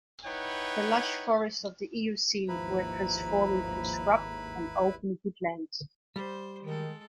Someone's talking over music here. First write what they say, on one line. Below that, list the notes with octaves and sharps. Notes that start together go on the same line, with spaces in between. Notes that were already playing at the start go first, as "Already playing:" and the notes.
The lush forests of the Eocene were transforming to scrub and open woodland.
D#4 E4 B4 C#5 F#5 G5
G#1 D#2 F3 E4 B4 A#5 B5
G3 C5
D#3 G#3 A4